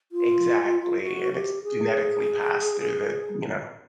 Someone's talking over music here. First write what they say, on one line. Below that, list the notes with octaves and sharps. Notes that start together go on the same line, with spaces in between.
Exactly, and it's genetically passed through the you know?
F4
F#4
G4
G#4